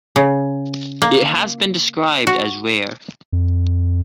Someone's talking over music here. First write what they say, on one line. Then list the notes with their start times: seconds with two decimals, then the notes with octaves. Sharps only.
It has been described as rare.
0.16 C#3
1.02 A#3
2.27 F#4
3.32 F2